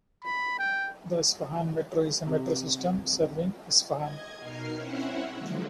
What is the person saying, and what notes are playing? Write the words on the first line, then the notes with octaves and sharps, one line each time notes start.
The Isfahan Metro is a metro system serving Isfahan.
B5
G5
C3
D#5 G#6
B2 D#4 A#4 F6 C7
C4 C#4 E4 E5 F#5
D3 D#3 F3 F#3 G#3 A#3